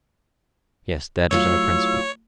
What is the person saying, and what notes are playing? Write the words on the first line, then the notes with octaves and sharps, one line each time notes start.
Yes; that is our principle.
A2 F#3 F4 C#5 E6